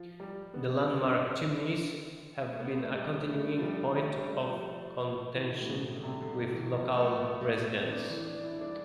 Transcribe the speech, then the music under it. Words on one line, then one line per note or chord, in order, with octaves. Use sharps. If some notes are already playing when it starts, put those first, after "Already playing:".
The landmark chimneys have been a continuing point of contention with local residents.
Already playing: F3
G3
B3
C4
A3
B3
A3
G3
A3
F3
G3
A3
G3
G3
F3
E3
D3
A2
B2
D3
C3
D3
E3
F3
A3
B3
A3
C4
D4
E3
D4
E4
E4
D4